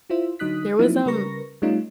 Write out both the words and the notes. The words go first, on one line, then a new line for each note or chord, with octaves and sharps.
There was, um
E4 F4 C5 E5
D3 F#3 D#4 D#6 F#6 B6
F3 F#3 A#3 C4 D#4 E4
C#3 G3 A#4 B4 C#6 A#6
G3 A3 C#4 D#4 F4